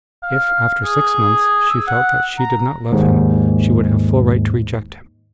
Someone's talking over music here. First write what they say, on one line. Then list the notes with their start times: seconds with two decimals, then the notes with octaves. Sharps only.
If after six months she felt that she did not love him she would have full right to reject him.
0.23 F5
0.84 G#4
1.70 E6
1.87 F#5
2.39 A#5
2.92 D#2 G#2